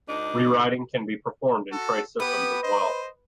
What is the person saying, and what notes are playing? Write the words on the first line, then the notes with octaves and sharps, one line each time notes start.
Rewriting can be performed in trace systems as well.
D2 D4 D#4 D#5
F#4 A4
B3 G4 B4 D#6
C5 D#5